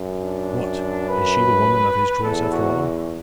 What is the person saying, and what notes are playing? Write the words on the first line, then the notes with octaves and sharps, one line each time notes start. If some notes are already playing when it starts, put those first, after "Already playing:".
'What--is she the woman of his choice after all?'
Already playing: F#2
D4
B4
E2 A4
F#4